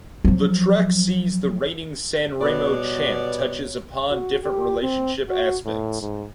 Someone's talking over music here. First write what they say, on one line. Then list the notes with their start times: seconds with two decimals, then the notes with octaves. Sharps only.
The track sees the reigning Sanremo champ touches upon different relationship aspects.
0.25 F3 F#3
2.41 B2 G3 B3 F#4 C#5 D5
4.10 F#4
4.43 G4
4.83 C4
5.29 F#4
5.65 A2
6.01 G#2